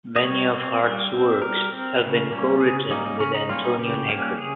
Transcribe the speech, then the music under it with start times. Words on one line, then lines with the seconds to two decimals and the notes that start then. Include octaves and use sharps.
Many of Hardt's works have been co-written with Antonio Negri.
0.16 D#5
0.23 G3 C#5
0.54 C4
0.83 G3
1.12 C4
1.42 G3 A#4
1.72 C4
2.02 C#3
2.31 G3 A#3 C#4
2.60 C#3 G#4
2.90 G3 A#3 C#4 D#4
3.06 D#4
3.20 C#3 C#4
3.34 D#4
3.49 G3 A#3 C#4 F4
3.64 D#4
3.78 C#3 G4
4.08 G3 A#3 C#4
4.38 C#3 G#4